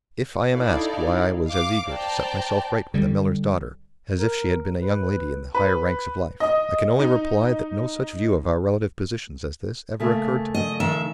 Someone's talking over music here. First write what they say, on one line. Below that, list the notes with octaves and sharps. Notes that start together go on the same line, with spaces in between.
If I am asked why I was as eager to set myself right with a miller's daughter, as if she had been a young lady in the higher ranks of life, I can only reply that no such view of our relative positions as this ever occurred to me.
D#4 E4 A4 D5 F5
F5 D6
C5 D5 G5 A5 A#5
D3 G3
A#4
B4
B4
D#5
D#4
C#3 A3 A#3
D#5
D#3 E5